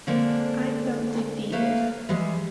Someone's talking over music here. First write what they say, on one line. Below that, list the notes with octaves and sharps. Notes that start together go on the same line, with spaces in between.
I felt defeated.
D3 G#3 A#3 C4 D4
A3 A#3 B4 F5
E3 G3 G#3